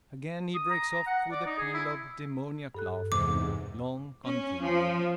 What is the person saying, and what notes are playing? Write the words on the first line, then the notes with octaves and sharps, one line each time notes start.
Again he breaks off with a peal of demoniac laughter, long continued.
D#6
A#5
A#5
F#5
D5
D#4
G#4
E4
G2 A4 F#6
E2 G#2 C3 D6
C#4
F3